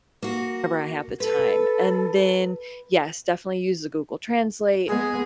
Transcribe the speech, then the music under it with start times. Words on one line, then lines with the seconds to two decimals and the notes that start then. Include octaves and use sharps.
I have the time and then yes, definitely use the Google Translate.
0.22 A#3 F#4
1.20 A4 B4
4.88 G#3 B3 G#4